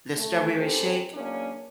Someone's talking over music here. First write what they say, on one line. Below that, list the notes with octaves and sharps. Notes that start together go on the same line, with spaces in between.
the strawberry shake
A3
C4 C#4 G4 A4 A#4 C5
E2 F#3 A#3 C#4 D4